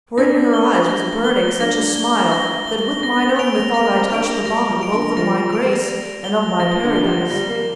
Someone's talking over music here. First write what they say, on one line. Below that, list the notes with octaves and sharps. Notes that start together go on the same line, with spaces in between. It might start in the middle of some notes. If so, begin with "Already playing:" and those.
For in her eyes was burning such a smile That with mine own methought I touched the bottom Both of my grace and of my Paradise!
D4 A#6
G7
A#6
G7
D4 A#6
G7
A#6
G7
D4 A#6
C4
C4 D7 F7
A#3 A#6
C4
D4 D7 F7
A#3
G3 A#6
F3
D7 F7
D3
F3 A#6
F3
D7 F7
G3
A#6
G7
F3 A#6
D3
G7
G3
F3
G3 A#6
A#3